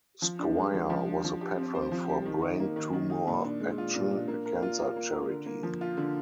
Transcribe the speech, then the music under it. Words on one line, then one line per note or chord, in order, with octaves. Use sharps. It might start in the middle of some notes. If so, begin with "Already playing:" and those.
Squire was a patron for Brain Tumour Action, a cancer charity.
F3
D4
G#3
F3
F3
D4
F3
G4
C4
C5
F3
G4
D#3
D#4
A#3
D#3
D#3
D#4
A#2
D4
G#3
F4
A#2
D4
A#3
A#4
F4
A#3
A#3
A#4
D3
A#3
F3
F4
D3